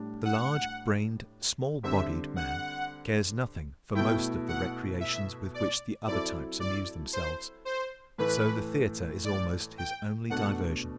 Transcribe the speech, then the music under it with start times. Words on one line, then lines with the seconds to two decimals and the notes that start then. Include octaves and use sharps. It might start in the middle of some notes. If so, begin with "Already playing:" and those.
The large-brained, small-bodied man cares nothing for most of the recreations with which the other types amuse themselves, so the theater is almost his only diversion.
Already playing: A2 G3 D4
0.25 F#5
1.83 D3 G3 C4 E5
2.36 F#5
3.95 B2 A3 E4 G5
4.48 F#5
5.00 E5
5.54 D5
6.07 F#3 C4 E4 A4 D5
6.60 D5
7.13 C5
7.65 C5
8.18 A2 E3 A3 B4
9.24 D5
9.78 G5
10.30 B2 A3 D4 F#5